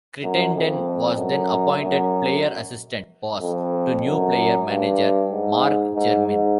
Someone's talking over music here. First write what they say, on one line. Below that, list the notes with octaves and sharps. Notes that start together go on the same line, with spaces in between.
Crittenden was then appointed player-assistant boss to new player-manager Mark Jermyn.
F#2
F2
F#2
F#2
F2
F#2
G2
G#2
G#2
G#2